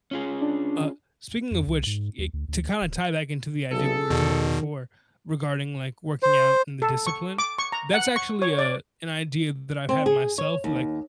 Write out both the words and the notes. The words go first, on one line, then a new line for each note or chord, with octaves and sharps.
Uh, speaking of which, eh, to kinda tie back into the idea what we were talking about before, regarding like working out in the discipline, that's actually, uh, an idea that I've had myself, like,
C#4 F4 G#4
D4
F2
C2
G#2
D#2
D2
D2
D1
B1 G#4 A4
E2 B2 D#3
C5
A4
C#6
D6
C#6
A#5
F#5
C#6
C#5
D5
C4
G#4
C#5
D#2